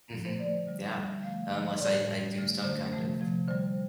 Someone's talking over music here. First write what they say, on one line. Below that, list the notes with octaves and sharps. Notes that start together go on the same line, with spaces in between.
Mhm. Yeah. Unless I I do some kind of
D3 F3 A3
C5
D3 F3 A3 D5
D3 G3
D3 G3
D3 F3 A3 F5
D3 F3 A3 D#5
D#5
A2 G3 D5
A2 G3
D3 A3
D3 A3 C5
C3 F3 A3
C3 F3 A3
D3 G3 C5